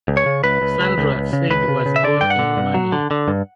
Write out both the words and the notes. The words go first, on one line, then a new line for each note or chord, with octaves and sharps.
Sandra Sade was born in Romania.
C#2
C#5
C#3
C#2 B4
C#2
C#2
C#2
C#2
C#3
C#2 B4
C#3
C#3
E5
D3 D5
G2 G5
F#5
D3
G2
F#3
D3
D3
G2